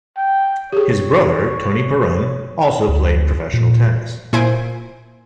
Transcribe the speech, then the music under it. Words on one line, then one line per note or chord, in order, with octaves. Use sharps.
His brother, Tony Parun, also played professional tennis.
G5
G4 G#4 C#5
D2
A#2
A#2 E4 C5 G#5 D7